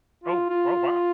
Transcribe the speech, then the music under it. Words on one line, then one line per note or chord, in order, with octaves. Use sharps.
Oh, oh, wow.
F4
F4